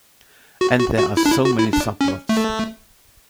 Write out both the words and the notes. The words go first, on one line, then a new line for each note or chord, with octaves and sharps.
And there are so many subplots.
F#4
F#4
F#4
E4
D4
E4
F#4
E4
D4
C#4
A3